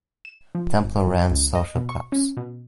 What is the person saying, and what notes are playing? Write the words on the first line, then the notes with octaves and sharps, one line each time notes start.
Templer ran social clubs.
E7
F3
G#1
F2
C#2
D#5
B2
C#6
C#4
B2